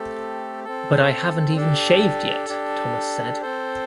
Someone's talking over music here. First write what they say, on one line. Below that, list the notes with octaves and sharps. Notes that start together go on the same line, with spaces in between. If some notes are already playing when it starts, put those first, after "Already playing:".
"But I haven't even shaved yet," Thomas said.
Already playing: A3 C4 G4 A4
C4 A4
D4 G4 A4
D4 G4
C4 A4 C5